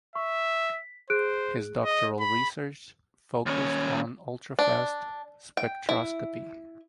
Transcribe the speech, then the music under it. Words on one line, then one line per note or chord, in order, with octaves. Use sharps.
His doctoral research focussed on ultrafast spectroscopy.
E5 C#6
B6
G#4 C5 F#6 D7
D#5
B5
D#2 C#4
D4
G5
E4